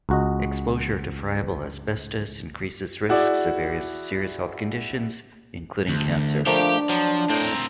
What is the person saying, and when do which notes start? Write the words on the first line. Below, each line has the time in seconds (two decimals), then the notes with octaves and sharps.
Exposure to friable asbestos increases risks of various serious health conditions, including cancer.
0.09 C#2 F#4 D#5
3.09 E4 F#4 G#4 D5
5.88 D2
6.46 F3 A3 A#3 D4 G4
6.89 F3 F#3
7.30 A2 C4 A#4